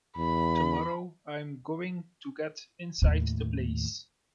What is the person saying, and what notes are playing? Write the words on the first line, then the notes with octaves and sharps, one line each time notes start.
Tomorrow I'm going to get inside the place.
E2 B5
D#2 A2